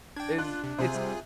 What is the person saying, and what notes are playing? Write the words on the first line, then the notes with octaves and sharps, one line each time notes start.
Is it's
D4 G5 G#6
F4 F#6
C3
C3 F4 G#4 G#5
G3